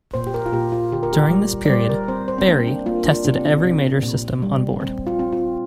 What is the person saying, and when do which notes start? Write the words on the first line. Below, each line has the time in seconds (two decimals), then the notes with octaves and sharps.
During this period, "Barry" tested every major system on board.
0.14 A#2 C5
0.27 G4
0.34 A#4
0.46 F4
0.53 A#2 G4
0.72 F4
0.92 D3 G4
1.03 A#4
1.13 G4
1.30 G3
1.65 D5
1.69 G3 C5
1.89 A#4
2.08 C4 C5
2.28 C5
2.38 C4
2.48 A#3 D4
2.67 D4
2.86 A#3 F4
3.05 D4
3.25 C3 D4
3.35 C4
3.45 D4
3.64 C3
4.03 A#2
4.42 G3
4.81 C4
5.07 F4
5.19 C4
5.32 F4